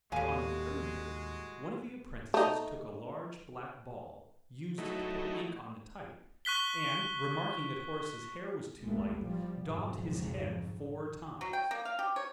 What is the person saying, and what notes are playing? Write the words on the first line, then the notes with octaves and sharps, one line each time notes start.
On the third day, one of the apprentices took a large black ball, used to put ink on the type, and remarking that Horace's hair was too light, daubed his head four times.
D#2 A2 G3 G#3 F#4 F5 G#5
A3 D#4
F#3 A3 D#4 E4
C#6 F#6 B6 G7
A1 D#2 G#3 A3 B3
A2 F3 G3
B1 F2 G#2 C#3
F#3
G5
A#3
F5
G4
C#5